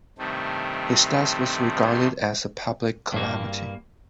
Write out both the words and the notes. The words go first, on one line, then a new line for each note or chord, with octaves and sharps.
His death was regarded as a public calamity.
G2 C3 D#3 A3 C4
G2 A#3